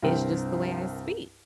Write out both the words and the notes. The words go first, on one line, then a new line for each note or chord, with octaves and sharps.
"It's just the way I speak,"
C2 G2 C4 A#4 G5